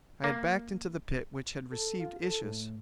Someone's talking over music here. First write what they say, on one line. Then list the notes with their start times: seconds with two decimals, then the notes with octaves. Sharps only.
I had backed into the pit which had received Issus.
0.24 A#3
1.71 A4
1.99 F4
2.23 A4
2.42 A2